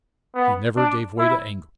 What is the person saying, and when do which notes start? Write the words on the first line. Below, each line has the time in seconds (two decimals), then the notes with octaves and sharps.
He never gave way to anger.
0.35 B3
0.76 D4
1.19 E4